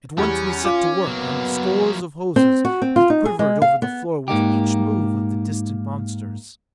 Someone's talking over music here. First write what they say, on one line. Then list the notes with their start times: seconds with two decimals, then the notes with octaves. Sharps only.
At once we set to work on the scores of hoses that quivered over the floor with each move of the distant monsters.
0.18 E2 G3 C#4
0.65 F4 D6
1.06 F#3 A#3 B3
2.36 C4
2.65 F#4
2.82 C4
2.96 F4
3.10 D#4
3.25 G#4
3.39 G#3
3.62 F5
3.82 B3
4.28 G#2 A#3 D#4 G4